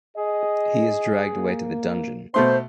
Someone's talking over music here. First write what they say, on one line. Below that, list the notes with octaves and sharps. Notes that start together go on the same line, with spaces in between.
He is dragged away to the dungeon.
G#4 D#5
A#3
B2 A3 C5 C6